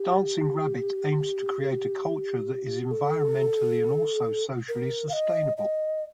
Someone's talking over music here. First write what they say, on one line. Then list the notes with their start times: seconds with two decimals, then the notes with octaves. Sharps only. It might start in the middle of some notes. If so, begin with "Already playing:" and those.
Dancing Rabbit aims to create a culture that is environmentally and also socially sustainable.
Already playing: G4
2.91 A4
4.69 A#4
5.09 F5
5.13 D#5
5.57 D#5